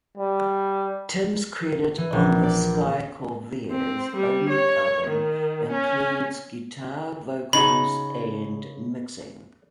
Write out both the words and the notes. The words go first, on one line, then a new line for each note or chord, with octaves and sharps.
Tim's credit on The Sky Corvair's only album includes, guitar, vocals, and mixing.
G3
E3
A#1
D5
C4
G3
C#5
D#3
C#4
C#3 D#4 B5